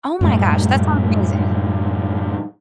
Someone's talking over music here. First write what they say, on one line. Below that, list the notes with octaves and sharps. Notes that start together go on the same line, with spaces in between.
Oh my gosh, that sounds amazing.
F#2 A2 G3